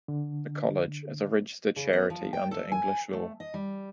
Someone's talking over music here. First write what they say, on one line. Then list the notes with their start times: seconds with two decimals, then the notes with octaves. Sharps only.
The college is a registered charity under English law.
0.08 D3
1.76 C#3
1.93 B3
2.10 F3
2.33 G5
2.51 A4
2.72 G#5
3.13 A3
3.40 D#5
3.54 G3